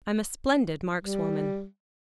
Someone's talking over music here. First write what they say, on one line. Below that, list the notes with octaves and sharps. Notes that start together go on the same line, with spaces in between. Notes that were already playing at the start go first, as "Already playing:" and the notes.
"I'm a splendid markswoman."
G3